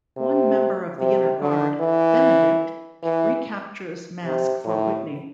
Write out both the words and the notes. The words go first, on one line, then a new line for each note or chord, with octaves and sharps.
One member of the Inner Guard, Benedict, recaptures Masque for Whitney.
C3
C3
D3
E3
E3
C3
A2